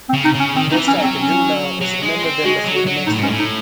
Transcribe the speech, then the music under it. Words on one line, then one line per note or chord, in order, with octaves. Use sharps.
The best I can do now is remember them before the next one.
C4
C#3
D#4
C#3 C#4
D#3 C4
D#3 D#4
E3
C#4
F#3
C4
C#4
F#3
G#3
C4
G#3 F#4
F#3
F#4
F#3
A2 D#4
G#2 C#4
A2
D#4